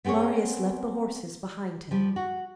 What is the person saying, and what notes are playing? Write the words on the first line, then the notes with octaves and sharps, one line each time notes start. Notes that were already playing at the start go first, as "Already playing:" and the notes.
Marius left the horses behind him.
B3 C4 G#4 A#4 C#5
F3 G3
F#4